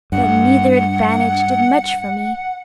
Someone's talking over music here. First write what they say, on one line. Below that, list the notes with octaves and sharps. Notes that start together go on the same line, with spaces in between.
But neither advantage did much for me.
G2 F#5